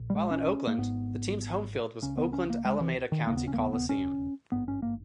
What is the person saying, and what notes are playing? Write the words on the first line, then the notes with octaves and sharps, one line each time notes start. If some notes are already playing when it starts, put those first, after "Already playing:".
While in Oakland, the team's home field was Oakland-Alameda County Coliseum.
Already playing: A#1 A#2
G3
G#3
C#4
A#3
G#1 G#2 B3
C#2 C#3 C#4
B3
C#4
A#3
G#3
E3
D#3
E1 D#2 C#3 A#3
B3
C#4
A#3
B3
B3
C#4
G#1 G2 B3
C#4
A#3